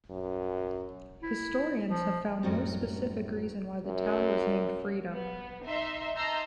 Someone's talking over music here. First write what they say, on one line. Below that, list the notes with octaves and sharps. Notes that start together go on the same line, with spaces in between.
Historians have found no specific reason why the town was named Freedom.
F#2
E4
F3
F#2 A2 F#3 G3 C4
F#2
B3
D#4 E5 C6
D#5 A5 A#5 C6 E6 G6